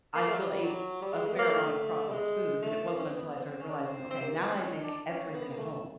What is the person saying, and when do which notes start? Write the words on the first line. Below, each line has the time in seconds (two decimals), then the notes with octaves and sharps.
I still ate a fair amount of processed foods, and it wasn't until I started realizing, "Okay, now I make everything at home."
0.15 A#3
0.27 A3
0.34 F#3
0.39 G3
0.51 G3
0.63 F#3
1.02 G3
1.13 G#3
1.26 A3
1.33 B3
1.39 A#3
1.50 A3
2.08 G3
2.12 G#3
2.62 A3
2.86 A#3
2.95 C#4
3.04 C4
3.11 B3
3.36 C4
3.60 C#4
3.69 D4
3.75 C#4
3.85 C4
4.11 C4
4.22 A#3
4.35 B3
4.47 C4
4.59 C#4
4.72 D#4
4.84 D4
5.09 C#4
5.27 A#3
5.34 B3
5.51 A#3
5.58 A3
5.71 A3